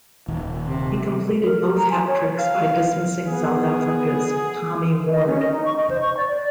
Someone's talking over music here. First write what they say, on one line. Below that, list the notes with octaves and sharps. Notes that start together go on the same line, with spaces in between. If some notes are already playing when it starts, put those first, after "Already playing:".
He completed both hat-tricks by dismissing South Africa's Tommy Ward.
D#1 D#3
C3
A#4
G4
A#5
G#5
C#5
F5
B3 G#4
D#5
C#4
D#5
D#4
C#6
D#5
C5
C#6
D5
D5